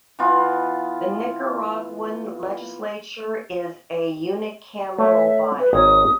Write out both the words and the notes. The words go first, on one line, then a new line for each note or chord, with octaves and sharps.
The Nicaraguan legislature is a unicameral body.
E3 B3 F4
A3 C#5 E5
B4
G#1 C#5 A#5 D#6